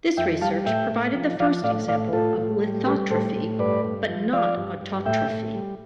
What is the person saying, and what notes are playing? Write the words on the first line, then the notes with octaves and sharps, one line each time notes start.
This research provided the first example of lithotrophy, but not autotrophy.
F2 E5 G5
G3 F5 A5
A2 E5 G5
A2
F3
F3 D5 F5
A2 D5 F5
A2 D5 F5
A2 F4 A4
A2
G3
G3 G4 B4
A2 A4 C5
A2
G2 B4 D5
G2
F3
F3 D5 F5
G2
G2
A2 E5 G5
A2
G3